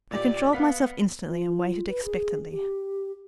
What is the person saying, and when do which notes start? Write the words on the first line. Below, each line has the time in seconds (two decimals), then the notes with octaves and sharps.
I controlled myself instantly and waited expectantly.
0.11 A#2 D#4 G4 D5
0.53 B3 F5 F#5 B6
1.28 F4
1.88 B4
2.05 G#4
2.51 G4